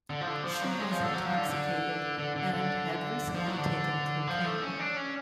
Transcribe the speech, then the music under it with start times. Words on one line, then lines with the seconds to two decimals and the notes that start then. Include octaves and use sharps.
She was intoxicated and had recently taken cocaine.
0.10 D3
0.21 F3
0.27 D3
0.45 F3
0.62 F#3
0.79 G#3
0.92 F3
1.03 D3
1.14 F#3
1.26 F3
1.37 D3
1.49 D3
2.18 D3
2.36 D3
2.53 D3
3.35 F3
3.46 F#3
3.57 D3
4.27 F3
4.45 A3
4.62 C#4
4.79 D4
4.96 C#4